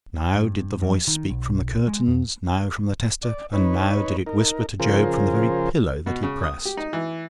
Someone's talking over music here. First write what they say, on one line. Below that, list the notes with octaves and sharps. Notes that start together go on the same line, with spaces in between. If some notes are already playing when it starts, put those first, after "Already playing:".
Now did the voice speak from the curtains; now from the tester; and now did it whisper to Job from the very pillow that he pressed.
G2
F2
D#3
B1
G#3
F2
D5
D#4 B4 C#5
D#4 A#4
C#3 F3 F4 G#4 A#4 C5
B2
C#3
D#6
G4
D#4
E3